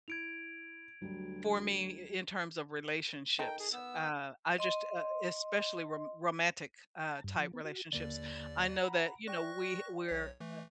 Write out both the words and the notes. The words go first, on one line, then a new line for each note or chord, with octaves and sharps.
for me i in terms of relationships, uh, I just, uh especially rom romantic, uh, type relationships, I know that, you know, we we're a
E4 G#6 D7 F7
D2 F#3 G3
D#3 A4 A#4 G5
G#4
B3 E6
D#5 C6
A5
G2
F3
B3
F#4
D#2 D3 A#3 D5
F#5 A#5 B5
D5 G5 C#6 F#6 A#6
B1 C#5
E3 A3